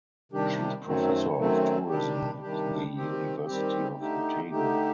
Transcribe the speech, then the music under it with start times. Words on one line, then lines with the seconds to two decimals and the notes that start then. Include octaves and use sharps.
She is Professor of Tourism at the University of Otago.
0.32 C3 D#3 G3 D4 G4
0.84 F#2 D#3 F#3 A3 C4
1.37 F#2 D#3 F#3 A3 C4
1.89 C3 D#3 G3 D4 G4
2.41 C3 D#3 G3 D4 G4
2.94 D#3 G3 C4 G4
3.46 D#3 G3 C4 G4
3.98 D3 A3 D#4 G4
4.51 D3 A3 D#4 G4